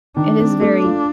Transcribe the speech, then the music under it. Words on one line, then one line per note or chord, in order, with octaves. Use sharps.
It is very
D#3 D4
C4
A3
F4